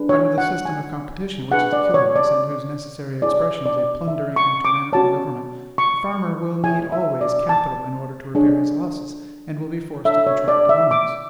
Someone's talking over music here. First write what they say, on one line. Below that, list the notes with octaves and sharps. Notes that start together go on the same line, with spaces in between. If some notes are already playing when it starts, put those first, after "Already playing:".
Under the system of competition which is killing us, and whose necessary expression is a plundering and tyrannical government, the farmer will need always capital in order to repair his losses, and will be forced to contract loans.
Already playing: D4 G#4 B4
C#5
F#5
G#5
D4 G#4 B4 F#5
D5
C#5
D5
E4 G#4 C#5 D5
D5
E5
C#6
D6
C#4 F#4 C#5 A5
C#6
E4 G#4 C#5 G#5
E5
D5
A5
D4 G#4 C#5
D4 A4 C#5 E5
C#5
D5
E5
D6